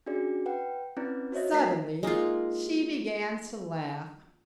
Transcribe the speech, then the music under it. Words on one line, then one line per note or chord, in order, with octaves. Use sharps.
Suddenly she began to laugh.
C#4 D4 F#4 G#4 D5
B4 F#5 G5
C4 C#4 E4 B4 D5
F#4 C5 C#5 D#5 E5
A3 A#4 A#5 B6 C7
G#3 A#3 D#4 F4